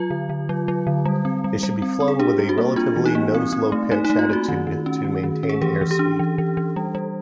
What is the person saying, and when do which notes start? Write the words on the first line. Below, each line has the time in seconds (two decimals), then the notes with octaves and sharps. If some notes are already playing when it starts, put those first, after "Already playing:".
It should be flown with a relatively nose-low pitch attitude to maintain airspeed.
Already playing: F#3 F4
0.10 D3
0.29 D3
0.49 F#3
0.68 F#3
0.87 D3
1.05 G3
1.25 C4
1.44 G3
1.63 G3
1.82 C4
2.00 C4
2.08 G#4
2.19 D4 G4
2.39 G3
2.49 F#4
2.58 A#3
2.76 D4 F4
2.96 E3
3.06 D#4
3.15 A#3
3.34 C4
3.53 C4
3.72 A3
3.91 A3 D#4
4.05 D#4
4.10 A3
4.19 F4
4.29 A3 F#4
4.48 D#3
4.67 D#3
4.86 C#4
5.04 D#3
5.24 D#3
5.43 C#4
5.49 G#4
5.62 E3 G4
5.81 E3
5.91 G4
5.99 D4
6.19 E3
6.38 E3
6.57 E3
6.76 G3
6.95 G3